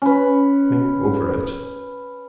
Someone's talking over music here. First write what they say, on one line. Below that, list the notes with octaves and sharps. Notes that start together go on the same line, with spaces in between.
Think over it.
C#4 B4